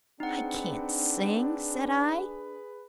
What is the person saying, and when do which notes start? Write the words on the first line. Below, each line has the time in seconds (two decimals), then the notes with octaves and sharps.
"I can't sing," said I.
0.20 C4 D4 D#4 G#4 B4 F#5